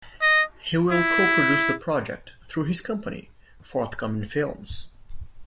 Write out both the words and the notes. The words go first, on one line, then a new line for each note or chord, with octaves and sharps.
He will co-produce the project through his company, Forthcoming Films.
D#5
E4